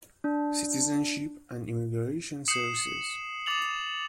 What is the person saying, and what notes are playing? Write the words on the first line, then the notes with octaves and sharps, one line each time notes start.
Citizenship and Immigration Services.
D4
D#6 C7 C#7 E7 F#7
D6 D#6 A6 F7 F#7